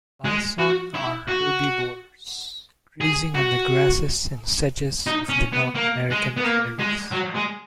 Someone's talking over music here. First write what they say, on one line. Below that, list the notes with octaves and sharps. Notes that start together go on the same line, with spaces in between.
Bison are herbivores, grazing on the grasses and sedges of the North American prairies.
G#3
F#4
E4
F#4
G#4
F#4
D#4
C#4
B3
A#3
G#3
B3
A#3
G#3
F#3
G#3